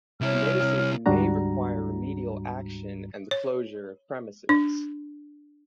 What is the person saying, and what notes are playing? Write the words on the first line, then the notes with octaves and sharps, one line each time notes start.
Notices may require remedial action and the closure of premises.
C2 E4 C#5 F6
D2 G#2 G3 D4 F#4 A#5
C#5
D4